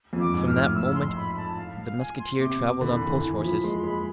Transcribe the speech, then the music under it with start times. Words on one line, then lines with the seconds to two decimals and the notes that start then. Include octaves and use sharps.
From that moment the musketeer travelled on post-horses.
0.13 F2
0.20 D6
0.34 G#2
0.47 F6
0.54 A2
0.75 E6
0.95 C6
1.16 B5
1.37 A5
1.57 F5
1.78 F5
1.98 G#5
2.19 C6
2.39 C3 D6
2.81 D3 B5
2.92 E3
3.04 D3
3.22 E3
3.42 F3 B5
3.63 G#3 C6
3.83 G#3 B5